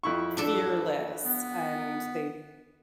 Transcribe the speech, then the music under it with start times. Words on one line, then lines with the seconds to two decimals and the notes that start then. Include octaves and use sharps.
fearless, and they
0.03 F2 E4 C#6
0.37 D4 A4 D5
1.25 B3